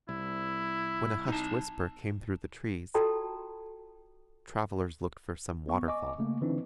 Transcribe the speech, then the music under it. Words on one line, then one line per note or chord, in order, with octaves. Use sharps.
When a hushed whisper came through the trees, travellers looked for some waterfall.
C2 E4
D#4 A5
F4 F#4 A4 G5 A5 A#5
B3 C#6
D#5 G#5 C#6 D6
C#3 A3 A#3
D3 E3 C4 D4 D#4